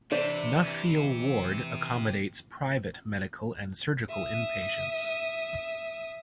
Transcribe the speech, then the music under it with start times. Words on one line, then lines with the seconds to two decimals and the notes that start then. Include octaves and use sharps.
Nuffield ward accommodates private medical and surgical inpatients.
0.11 C3 E3 D4 C5 D5
4.09 E5 D#6